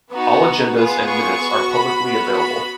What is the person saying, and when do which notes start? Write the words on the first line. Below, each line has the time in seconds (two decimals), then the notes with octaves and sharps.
All agendas and minutes are publicly available.
0.13 B3 D#4 F#4
0.77 B3 F4 G#4
1.09 C#6
1.41 B3 F#4
1.73 B5
2.05 B3 F#4
2.36 B5